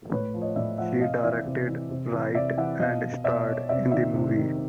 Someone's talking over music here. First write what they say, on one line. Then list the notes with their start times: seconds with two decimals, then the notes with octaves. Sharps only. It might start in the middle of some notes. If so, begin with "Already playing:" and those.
She directed, write and starred in the movie.
0.11 A2 B4 C#5
0.34 F3
0.41 C#5 D#5
0.56 A2 D5 E5
0.78 F3 E5 F#5
1.01 C3 D#5 F5
1.23 E3 D5 E5
1.46 C3
1.68 E3
1.90 C3
2.12 E3
2.35 C3 D5 E5
2.57 E3 E5 F#5
2.80 B2 D#5 F5
3.24 B2 D5 E5
3.47 C#5 D#5
3.69 C3 D5 E5
3.92 D#3 D5 E5
4.14 C3
4.37 D#3